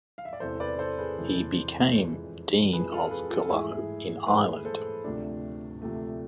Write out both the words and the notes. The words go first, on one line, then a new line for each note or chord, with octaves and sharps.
He became Dean of Killaloe, in Ireland.
F5
E5
D5
E2 C3 E3 G#3 A4 C5
B4 D5
A4 C5
G#4 B4
E2 C3 E3 G#3
F2 E3 G#3
F2 E3 G#3 G#4 B4
F4 A4
G#4 B4
F4 A4
G#2 E3 A3 E4 G#4
G#2 E3 A3 G#4 B4
A4 C5
D2 C3 F3 A3 D4
D2 C3 F3 A3